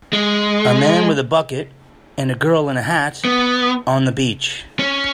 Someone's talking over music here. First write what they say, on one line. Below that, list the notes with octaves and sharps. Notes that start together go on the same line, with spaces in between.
A man with a bucket and a girl in a hat on the beach.
G#3
B3
C#4